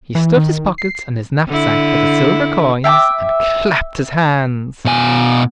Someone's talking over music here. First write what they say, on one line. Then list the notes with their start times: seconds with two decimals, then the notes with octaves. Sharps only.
He stuffed his pockets and his knapsack with the silver coins, and clapped his hands.
0.15 E3
0.37 D#3
0.78 C7
1.48 D3 E4
2.84 E5 G5 A5 D6
4.85 B2 G#5